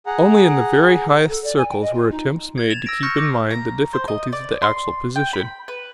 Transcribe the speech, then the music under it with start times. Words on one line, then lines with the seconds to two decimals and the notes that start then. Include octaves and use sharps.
Only in the very highest circles were attempts made to keep in mind the difficulties of the actual position.
0.06 G#4 F#5 A#5
1.28 A4
1.44 D5
1.57 G#5
1.69 G5
1.82 D#5
1.93 F4
2.11 D#4
2.58 G#6
2.70 A6 E7 F7
2.86 E6 A6 A#6 D7
3.03 C#6 E6 F6 G6 A#6 C#7
3.17 D6 E6 A#6
3.51 A#5
3.93 C5
4.08 D#5
4.33 D5
4.62 C6
5.16 G5
5.33 B5
5.68 B4